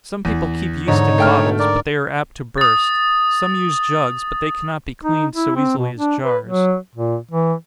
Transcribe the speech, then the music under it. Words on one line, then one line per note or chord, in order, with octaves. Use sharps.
Some people keep yeast in bottles, but they are apt to burst--some use jugs, but they cannot be cleaned so easily as jars.
E2 D#7
G#2 D3 D#4 C#5
A3 G5 F6
A#4 D5
D#6 A6
D#4
E4
C4
B2
D4
B4
F#3
A#2
E3